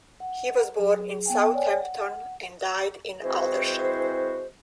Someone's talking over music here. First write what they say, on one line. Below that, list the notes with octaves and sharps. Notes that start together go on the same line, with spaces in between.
He was born in Southampton and died in Aldershot.
F#5
F#3 G#4
B3 G5 G#5
C#5 D5 G5 G#5
F#5
E3 G#3 C4 E4 F#4 C5